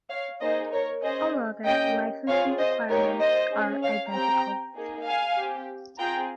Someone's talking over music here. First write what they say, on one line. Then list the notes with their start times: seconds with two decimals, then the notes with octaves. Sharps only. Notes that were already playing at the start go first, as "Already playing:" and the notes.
All other licensing requirements are identical.
0.10 C#5 F5
0.41 A#3 D#4 G#4 C5 D#5
0.72 A#4 C#5
1.03 C#4 G#4 C5 D#5
1.65 A#3 C#4 G4 D#5 G5
2.27 C4 F4 G#4 C#5 F5
2.58 C5 D#5
2.89 A#3 D#4 G4 A#4 C#5
3.20 C5 D#5
3.51 C#4 G#4
3.82 C#5 F5
4.13 C4 G4 G5 A#5
4.75 A#3 D#4 G#4
5.06 F5 G#5
5.37 C4 G4
5.99 C4 F4 G#4 G5 A#5